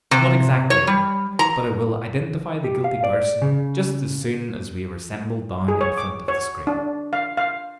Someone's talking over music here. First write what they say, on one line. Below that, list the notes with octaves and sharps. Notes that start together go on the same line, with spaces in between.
"Not exactly, but I will identify the guilty person just as soon as we are assembled down in front of the screen."
C3
C#5
G3
A#5
G4
F5
D5
C#3
G#4
C#5
D6
C#5
D4
F5
F5